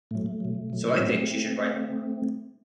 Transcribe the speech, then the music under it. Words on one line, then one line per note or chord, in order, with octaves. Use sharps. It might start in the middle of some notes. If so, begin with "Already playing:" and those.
So I think she should write more.
A2 F#3 A3
A3
B2 F#3
B2 F#3
A2 F#3 A3 C4